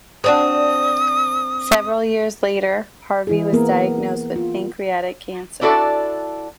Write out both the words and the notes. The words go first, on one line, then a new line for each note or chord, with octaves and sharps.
Several years later, Harvey was diagnosed with pancreatic cancer.
C4 D4 F#4 D#6
E3 E4 G#4
A#3 B3 A#4
F4
D4 E4 F#4 A4 D5